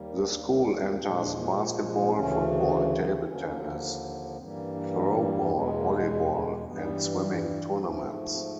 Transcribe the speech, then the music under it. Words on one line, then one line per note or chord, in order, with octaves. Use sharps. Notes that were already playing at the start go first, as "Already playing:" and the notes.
The school enters basketball, football, table tennis, throw ball, volleyball and swimming tournaments.
Already playing: D#2 D#3 G3 A#3
A#2 F3 G#3 D4
C4
D2 C#3 E3 A3 C#4
B3
C4
D#2 D3 F3 A#3 C#4
G2 E3 G3 A#3 C4
C#4
D4
D#4
B3
E2 B2 G#3 A#3
B3
A#3
G2 E3 G3 B3
G#2 F3 A3 C4
C#4
C4
C4